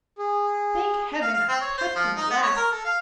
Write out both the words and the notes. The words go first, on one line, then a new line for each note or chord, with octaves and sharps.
Thank Heaven, I've touched him at last!
G#4
F5
F5
C4
C#5
C5
F3
D#4
B3
C#5
A#4
A4
F5